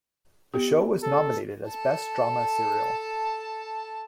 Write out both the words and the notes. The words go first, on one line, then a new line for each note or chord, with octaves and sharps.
The show was nominated as Best Drama Serial.
B3 G4
A4
A4 A5